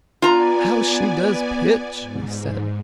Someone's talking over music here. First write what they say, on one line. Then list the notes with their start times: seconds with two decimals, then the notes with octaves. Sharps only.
"How she does pitch!" he said.
0.22 B3 F4 D5 G#5 A#5
2.00 G#2